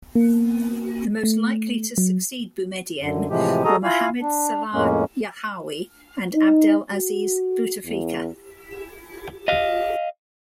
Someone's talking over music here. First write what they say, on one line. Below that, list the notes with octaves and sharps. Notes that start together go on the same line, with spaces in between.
The most likely to succeed Boumediene were Mohammad Salah Yahiaoui and Abdelaziz Bouteflika.
A#3
A3
F#3
F#2 D3
A2 C3 E3 F3 G#3 G4
F#4 G#4 A4 D#5 A#5 D#6
E4 F4 F5 G#5
D4
F2 A2 G#3 A#3 C#4
D#4
F#4
E2
D#5 F5